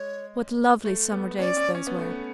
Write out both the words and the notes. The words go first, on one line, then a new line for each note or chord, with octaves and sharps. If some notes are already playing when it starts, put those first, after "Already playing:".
What lovely summer-days those were!
Already playing: G#3 C#5
A3
B3
C#4 D5
C#4
C#4
B3
A3
B3